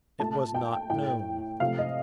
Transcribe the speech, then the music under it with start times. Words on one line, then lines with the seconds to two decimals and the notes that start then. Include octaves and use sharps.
It was not known.
0.20 A#2 A3 A5
0.54 G5
0.90 A2 A3 G5
1.60 C3 F3 A3 F5
1.79 D#5